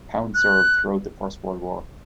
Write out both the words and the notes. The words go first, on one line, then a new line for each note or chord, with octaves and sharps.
Pound served throughout the First World War.
F#6